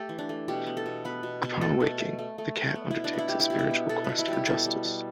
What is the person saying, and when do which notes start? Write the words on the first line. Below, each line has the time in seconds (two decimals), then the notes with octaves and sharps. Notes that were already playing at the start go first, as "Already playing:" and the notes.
Upon waking, the cat undertakes a spiritual quest for justice.
Already playing: A3 G4 A4
0.09 E3
0.19 D4
0.29 A3
0.48 B2 G4
0.66 B3
0.77 A4
0.86 B2
1.05 B3 B4
1.23 B2
1.43 B2
1.61 A3 A4
1.80 B2
2.00 A3
2.19 A3
2.38 A3
2.57 A3
2.75 B3
2.91 B2 E4
3.04 D4
3.13 B3
3.18 E4
3.29 G3 G4
3.40 E4
3.50 B2 G4
3.59 E4
3.71 B3
3.89 B2 A4
4.04 B2 B4
4.19 E4
4.28 G3 G4
4.47 B2 A4
4.66 G3
4.85 G3